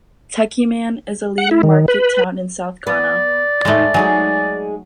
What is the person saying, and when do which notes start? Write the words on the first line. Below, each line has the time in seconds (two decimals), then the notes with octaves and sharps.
Techiman is a leading market town in South Ghana.
1.38 F#5
1.51 E4
1.63 D#3
1.88 B4
2.87 B3 D5
3.65 E2 A2 G#3 A3 D#4
3.94 F#3 G#3 D#4 G#4